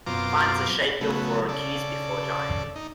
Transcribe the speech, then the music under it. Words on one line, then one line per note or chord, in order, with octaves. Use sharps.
Find the schedule for A Kiss Before Dying.
F#2 B2 C4 F4 A#5 D6
C#3 F#3 A3 B3
C#3 A4 D5
D#4